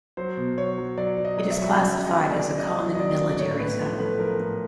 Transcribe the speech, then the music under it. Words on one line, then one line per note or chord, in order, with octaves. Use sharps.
It is classified as a Common Military Zone.
F#3 C5
B2
F#3 C#5
F#3
F#3 D5
F#3
D#5
F#3
E5
F#3
C#3 E5
C#3
D#5
C#3
D5
C#3
C#3 D#5
F#3
D#5
F#3 D5
C#3
D5
A2 C#5
A2 B4
F3
A2 B4
F3 A#4
A2